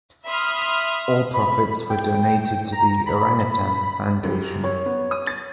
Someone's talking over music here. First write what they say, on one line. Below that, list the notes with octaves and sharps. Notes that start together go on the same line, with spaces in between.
All profits were donated to The Orangutan Foundation.
E5 B5 C6 D#6 F6
B5
G5
A#5
B5
F#2 G4
C#5
B3
D#6
A6